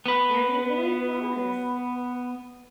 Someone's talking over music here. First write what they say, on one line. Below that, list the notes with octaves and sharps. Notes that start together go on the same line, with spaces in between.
and it really was.
B3 B4